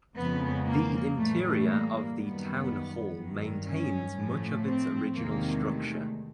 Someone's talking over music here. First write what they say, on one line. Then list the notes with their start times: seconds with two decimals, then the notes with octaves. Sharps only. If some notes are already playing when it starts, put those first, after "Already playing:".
The interior of the town hall maintains much of its original structure.
0.18 F2 C#3 F3 G#3 B3
0.68 A#3
1.17 A2 E3 G3 A3
1.68 A#3
2.17 F#2 D#3 G3 B3
3.17 G2 D#3 F#3
3.67 C#4
4.16 A2 F3 A3
4.67 C4
5.17 E2 C3 D#3 G#3 A#3
5.67 A3